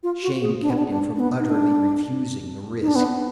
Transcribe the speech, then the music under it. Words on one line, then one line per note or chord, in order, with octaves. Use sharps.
Shame kept him from utterly refusing the risk.
F4
F#4
G#4
D4
B3
D4
D4
D4
B3
D#4
D4
D#4
D4
B3